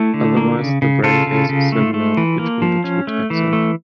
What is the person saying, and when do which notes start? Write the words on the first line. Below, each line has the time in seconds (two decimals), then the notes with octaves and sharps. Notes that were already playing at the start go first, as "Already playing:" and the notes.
Otherwise the braincase is similar between the two taxa.
Already playing: A3 E4
0.14 D3
0.37 A#3
0.59 C#3
0.82 C#3
1.03 C#3 F4 A4
1.27 C#3
1.49 C#3
1.72 A3
1.94 A3
2.17 E3
2.39 A#3
2.62 F3
2.84 C#4
3.07 A3
3.30 E3
3.53 A3